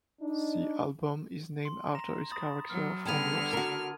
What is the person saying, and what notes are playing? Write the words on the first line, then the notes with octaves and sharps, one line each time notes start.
The album is named after his character from "Lost".
D4 D#4
C6
A#5 A#6 E7
B5 D#6 A6
F#3 F6
D3 G3 B3 A5 F6 G#6 D#7
F#4 A#4 A5